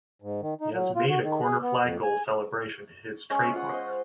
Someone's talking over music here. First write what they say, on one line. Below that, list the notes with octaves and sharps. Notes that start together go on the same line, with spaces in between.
He has made a corner flag goal celebration his "trademark".
G#2
D#3
D#4
F#3
F4
F#4
D#3
G#4
B3
F2
G#5
G#3 C#4 C#6
F4 C#5 F#5 D#6
C5 D#5